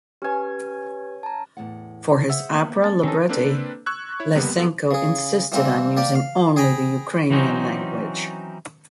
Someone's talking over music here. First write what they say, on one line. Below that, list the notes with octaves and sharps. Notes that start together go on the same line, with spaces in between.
For his opera libretti Lysenko insisted on using only the Ukrainian language.
C#4 G4 B4 G#5
A5 A#5
E2 A2 F#5
G#4 C5 E5 F#5
A#3 B3 B4
C#4 A5
D#3 C4 C#4 D#4 G4 A4 B4
A#3 C4 D4 A4 B4
C#6 E6 F#6 G#6
E4 C#5
F2 C3 G3 A#3 B3
F#3 B3 A4
C#3 G#4
E3 G3 A#3 C4
A#3 G4 D5
F5
G#4 G5 G#5 A#5 B5
E3 F#3 C4 C#4 D#4